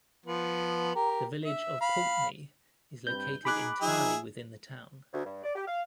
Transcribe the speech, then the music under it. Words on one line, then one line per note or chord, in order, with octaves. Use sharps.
The village of Poultney is located entirely within the town.
F3 B3
G4 A#4
E5
F5 B5
G2 C4 B4 G6
D#4 G#4 B5 D6 F#6
F3 D#4 G#4 E5
D2
G2
D5
G4
F5